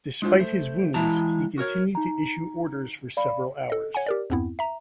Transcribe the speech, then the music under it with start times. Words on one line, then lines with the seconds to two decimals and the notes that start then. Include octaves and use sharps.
Despite his wounds, he continued to issue orders for several hours.
0.22 G#3 D4 F4 C5
0.39 A3 C5
0.94 E3 G#3 E4 G5 A5 A#5
1.58 F#4 A#4 C#5
1.95 D#4 A#5
3.17 D5 F5 B5
3.70 A4 D#5
3.95 C#5 F#5 G#5
4.07 G4 A#4 D5
4.30 E2 G2 B3 C4 E4
4.59 E5 A#5